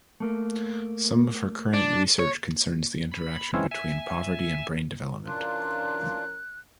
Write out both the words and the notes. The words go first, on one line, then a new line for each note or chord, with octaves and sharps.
Some of her current research concerns the interaction between poverty and brain development.
A3 A#3
D4
C#5
B5
E3 F3 G#3 C4 C#4 E4
E5 G#5
E3 C#4 D4 F4 A#4 F#6